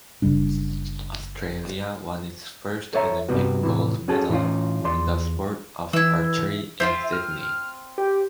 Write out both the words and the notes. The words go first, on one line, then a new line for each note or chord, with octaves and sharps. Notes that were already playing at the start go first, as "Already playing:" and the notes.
Australia won its first Olympic gold medal in the sport of archery in Sydney.
F#1 C#3 G3 D4
A4 C5 C#5 E5 F5 A#5
G2 C3 G3 B3 F#4
A2 C3 E3
C#4 F#4 G#4 A4
A2 E3 C#4 D#4 F4
E2 F4 D5 C6
E3 E4 E6
C4 D#4 F4 E5
F6
G4